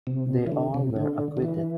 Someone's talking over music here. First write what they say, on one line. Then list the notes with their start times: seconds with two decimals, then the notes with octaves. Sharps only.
They all were acquitted.
0.07 C3
0.47 E3
0.52 D3
0.74 C3
0.96 D3
1.37 D3
1.42 E3